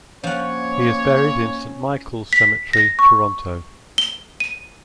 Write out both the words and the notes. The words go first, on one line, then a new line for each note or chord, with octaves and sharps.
He is buried in Saint Michael's Cemetery, Toronto.
F3 A#3 C#4 C#5 F#5
B6
A#6
C#6
G7
D#7